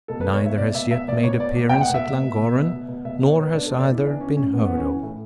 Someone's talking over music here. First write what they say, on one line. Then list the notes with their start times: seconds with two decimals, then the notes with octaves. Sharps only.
Neither has yet made appearance at Llangorren, nor has either been heard of.
0.08 B2 A4
0.21 B4
0.25 B2
0.34 C#5
0.42 B2 E5
0.58 B2 D5
0.74 B2 E5
0.91 B2 E5
1.08 B2 D5
1.23 B2 C#5
1.40 B2 D5
1.56 B2
1.69 G5
1.74 B2
1.81 F#5
1.90 B2 E5
2.06 B2
2.23 B2
2.39 B2
2.55 B2
2.72 B2
2.88 B2
3.05 B2 E5
3.21 B2
3.30 C#5
3.38 B2 B4
3.54 B2 D4
3.66 A4
3.71 B2
3.79 D5
3.87 B2 E4
4.03 E3 D4
4.20 E3 C#4
4.37 A2 C#4
4.53 A2 B3
4.66 E3 B3
4.77 C#4
4.86 E3
5.03 A2